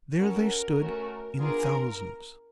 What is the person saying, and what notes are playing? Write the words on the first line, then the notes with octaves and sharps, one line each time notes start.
There they stood in thousands.
C#4 F#4 A4 A#4
A3 C#4 F#4 A4
B3 D4 F4 G#4 A#4